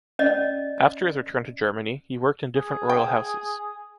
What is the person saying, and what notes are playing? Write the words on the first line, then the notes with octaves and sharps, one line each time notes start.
After his return to Germany, he worked in different royal houses.
C#4 D5 D#5
G#4
G5